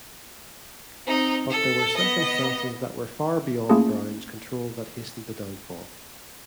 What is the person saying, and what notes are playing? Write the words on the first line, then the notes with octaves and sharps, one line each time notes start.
But there were circumstances that were far beyond Brown's control that hastened the downfall.
C4 D#4
A4
B3 D#5
A3 A#3 C#4 F4 G#4 A5